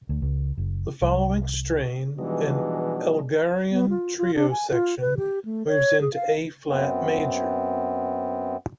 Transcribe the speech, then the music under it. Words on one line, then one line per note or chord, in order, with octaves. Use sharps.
The following strain, an Elgarian trio section, moves into A-flat major.
D2
C#2
F#1
C2
B2 E3 F3 G3 G#3 D4 D#4
B3
F4
F4
D4
G#5
F4
B4
G4
A3
C#5
G#4
F5
F#2 B3 C4